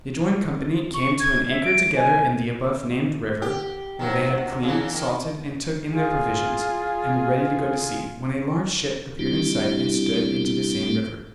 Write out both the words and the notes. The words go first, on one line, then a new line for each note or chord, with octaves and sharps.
They joined company, came to an anchor together in the above named river, where they had cleaned, salted and took in their provisions, and were ready to go to sea, when a large ship appeared in sight, and stood into the same river.
C#6
G#6
E5
D7
G#5
G4
D#3 F3 F#3
C#3 E3 D#4
D#3
F4 G#4
G3 C4 D4 E4 F4 G4